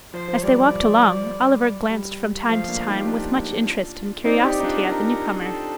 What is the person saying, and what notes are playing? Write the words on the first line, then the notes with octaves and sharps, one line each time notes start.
As they walked along, Oliver glanced from time to time with much interest and curiosity at the new comer.
F3 C5
F3
G3 D5
G3
G3
F3 A3 F5
A#3 D4
D#4 G4
D4 F4
C4 D#4 D5
D#4 G4
D#4
D4 F4
A#4
A4